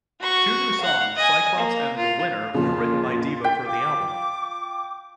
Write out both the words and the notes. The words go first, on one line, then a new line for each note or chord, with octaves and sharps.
Two new songs, "Cyclops" and "The Winner", were written by Devo for the album.
F#4 C#6
F5 F#5
D#5 G#5
A#3
F4
F2 A#2 C#3 F4
G5 B6
F4 D6